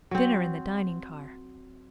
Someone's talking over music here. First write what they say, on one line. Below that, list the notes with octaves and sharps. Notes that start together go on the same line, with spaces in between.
Dinner in the dining-car.
F#3 C4